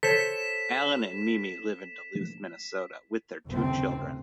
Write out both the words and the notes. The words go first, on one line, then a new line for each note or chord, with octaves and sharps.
Alan and Mimi live in Duluth, Minnesota, with their two children.
A4 C5 C#5 B6 E7
F#1 D#2 C3 A3 C4